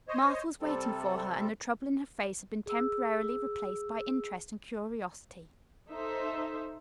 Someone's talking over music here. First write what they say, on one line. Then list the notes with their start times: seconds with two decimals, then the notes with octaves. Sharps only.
Martha was waiting for her and the trouble in her face had been temporarily replaced by interest and curiosity.
0.08 C5 C#5 D#5
0.61 C3 G3 C4 A4
2.66 G#4 E6
5.90 D#4 A4 C5 E5